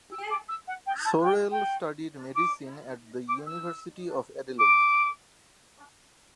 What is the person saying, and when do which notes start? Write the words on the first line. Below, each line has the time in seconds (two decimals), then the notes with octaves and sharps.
Sorrell studied medicine at the University of Adelaide.
0.12 E6
0.30 D6
0.48 E6
0.67 F#5
0.86 G5
1.05 A5
1.23 G5
1.51 G5
2.35 D6
3.28 D6
3.46 E6
4.58 D6